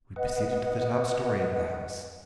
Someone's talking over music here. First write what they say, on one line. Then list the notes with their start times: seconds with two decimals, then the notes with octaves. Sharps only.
We proceeded to the top-storey of the house.
0.16 B4 D#5 F#5